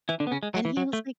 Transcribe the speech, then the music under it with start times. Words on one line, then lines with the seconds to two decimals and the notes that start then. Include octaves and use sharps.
And he was like
0.09 E3 E4
0.20 D3 D4
0.27 B3
0.31 C#3 C#4
0.43 G#3
0.54 F#3
0.65 E3
0.77 F#3
0.93 A3